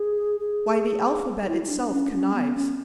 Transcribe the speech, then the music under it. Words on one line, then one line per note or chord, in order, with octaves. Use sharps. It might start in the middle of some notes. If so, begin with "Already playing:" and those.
Why, the alphabet itself connives.
Already playing: G#4
G#4
E4
E4
D4
C#4
C#4
B3
C#4